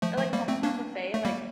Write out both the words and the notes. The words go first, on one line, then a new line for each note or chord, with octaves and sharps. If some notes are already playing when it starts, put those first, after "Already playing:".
Or, like, Hometown Buffet, like
F3 A3
F3 A3
G3 A#3
A3 C4
A#3 D4
A3
G3 A#3